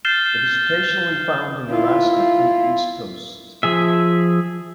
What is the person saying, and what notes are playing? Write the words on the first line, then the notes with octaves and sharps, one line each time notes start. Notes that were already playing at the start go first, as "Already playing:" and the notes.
It is occasionally found in Alaska and the East Coast.
F6 G6 A6 C7 E7 G7
E4 F4
F3 G#4 E5